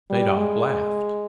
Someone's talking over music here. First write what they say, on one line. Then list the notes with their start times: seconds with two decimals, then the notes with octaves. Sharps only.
Zadok laughed.
0.10 G3
0.38 G#3